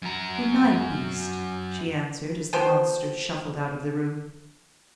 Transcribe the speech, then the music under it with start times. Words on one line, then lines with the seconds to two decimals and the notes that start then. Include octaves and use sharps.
"Good night, beast," she answered, as the monster shuffled out of the room.
0.02 F#2 A#5
2.53 F3 B3 G4 C5